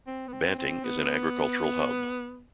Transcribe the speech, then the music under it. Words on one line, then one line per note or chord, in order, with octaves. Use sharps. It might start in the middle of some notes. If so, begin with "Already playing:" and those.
Banting is an agricultural hub.
C4
B3
C4
C4
B3